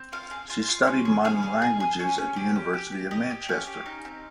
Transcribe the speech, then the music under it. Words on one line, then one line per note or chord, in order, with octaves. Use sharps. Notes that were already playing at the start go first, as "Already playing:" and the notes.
She studied modern languages at the University of Manchester.
Already playing: C4
F4 F5
G#4
F4
F4
C#4
G#4
G#4 F5
G#4
G#4
G#4
C#4
C#4
G4
G4
G4
G4
G4 D#5
G4
C#4 F5
G4
D#4
C4